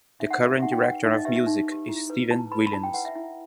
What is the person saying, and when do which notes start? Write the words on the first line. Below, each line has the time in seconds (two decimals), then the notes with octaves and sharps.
The current Director of Music is Stephen Williams.
0.20 D#4 E5
0.30 F#5
0.41 G4 B4 E5
0.52 E5
0.62 D#4 F#5
0.72 G5
0.82 G4 B4 F#5
1.04 D#4 E5
1.15 D#5
1.25 G4 B4 E5
1.36 E5
1.46 D#4
1.68 G4 B4
1.89 E4
2.10 B4
2.31 E4 A5
2.52 B4 B5
2.67 B5
2.73 E4 A5
2.83 G5
2.94 B4 F#5
3.05 E5
3.15 E4 E5